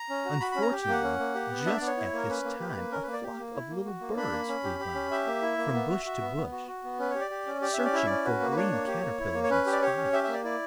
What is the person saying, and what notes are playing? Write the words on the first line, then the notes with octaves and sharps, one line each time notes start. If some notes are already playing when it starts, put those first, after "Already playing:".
Unfortunately, just at this time a flock of little birds flew by, from bush to bush, searching for green caterpillars and spiders.
Already playing: A#5
C#4
F#4
F#4 B5
C#4 B5
A#5
G4
G5
A#3 F#5
C#4
A#3
G4
B3
D4 E5
D5
B3
C#5
E4
A#3 A#4
C#4 B4
A#3
G4
A#3
C#4 A#4
A#3 B4
D5
G4
A#3
E4
A#3
F#4
A#3
D4 B5
A#3
C#4
G4
G4
C#4
G4 E5
A#3
E4
A#3
B3
F#4
F#4
B3
B3
F#4
F#4
B3
C#4 B4
G4 C#5
D5
G4
C#4
G4 D5
C#4 E5
D5
E4 E5
C#4 D5
F#4 B4
A#3
B4
D4 C#5
A#3
G4
A#3
E4
A#3
C#5
C#4 B4
G4
D5
G4 C#5
C#4
G4 E5
A#3 E5
D5
E4 D5